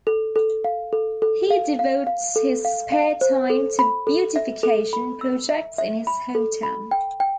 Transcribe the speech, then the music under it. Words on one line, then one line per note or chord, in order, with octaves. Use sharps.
He devotes his spare time to beautification projects in his hometown.
A4
A4
F5
A4
A4
F5
F5
F5
A4
F5
F5
C5
A4
B5
A4
E5
A4
B5
E6
E5
E5
B5
A4
B5
G5
G5